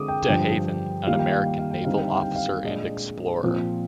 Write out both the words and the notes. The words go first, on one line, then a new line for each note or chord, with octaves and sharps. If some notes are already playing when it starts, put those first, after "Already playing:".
De Haven, an American naval officer and explorer.
Already playing: D3 G#3 C4 D6 D#6
G5
G2 D3 F3 G5
D#3 G3 A#3 F4 F5
G5
F5
G5
F5
G5
D3 G3 C4 D#4 F5
G5
F5
G5
F5
A#2 G#3 D4 D#5
A#2 F3 C4 F4